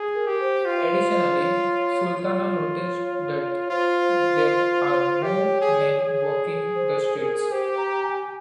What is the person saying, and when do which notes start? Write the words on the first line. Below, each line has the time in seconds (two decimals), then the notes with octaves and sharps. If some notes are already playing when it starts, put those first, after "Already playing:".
Additionally, Sultana notices that there are no men walking the streets.
Already playing: G#4
0.15 A#4
0.27 G4
0.40 C5
0.66 F4
1.41 C#5
2.17 F4
3.70 F4 C5
5.22 G4 C#5 E5
5.61 G#4
5.99 G#4
6.75 C5
7.14 C5
7.17 A#4
7.51 G4 C5
7.77 A#5
8.03 G#5